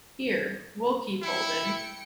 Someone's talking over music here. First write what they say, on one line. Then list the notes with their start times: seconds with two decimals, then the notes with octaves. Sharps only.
Here, we’ll keep holding.
1.22 E4 G5 C#7